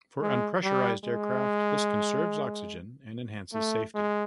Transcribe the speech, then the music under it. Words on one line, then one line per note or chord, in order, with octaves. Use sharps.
For unpressurized aircraft, this conserves oxygen and enhances safety.
G#3
G3
G#3
A3
G#3